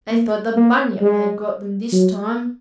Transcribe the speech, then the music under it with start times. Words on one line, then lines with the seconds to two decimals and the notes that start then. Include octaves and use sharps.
They thought the Bunyip had got them this time.
0.11 A#3
0.56 A#3
1.01 G#3
1.92 F#3